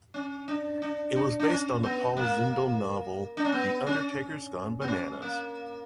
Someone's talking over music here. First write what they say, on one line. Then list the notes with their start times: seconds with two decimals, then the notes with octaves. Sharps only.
It was based on the Paul Zindel novel "The Undertaker's Gone Bananas".
0.14 C#4
0.48 D4
0.82 D4
1.16 D4
1.39 D4
1.50 C#4
1.83 B3
2.17 A#3
3.37 D4
3.45 C#4
3.52 B3
3.87 C#4
4.82 B3
4.88 C#4
5.22 A#3